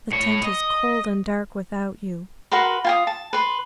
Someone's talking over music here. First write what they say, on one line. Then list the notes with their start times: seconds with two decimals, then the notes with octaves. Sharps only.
The tent is cold and dark without you....
0.12 A2 C#5
0.43 D#5
2.51 F#4 A#4 B4 C6
2.84 F4 G#5 D#6
3.07 A5
3.33 B4 C6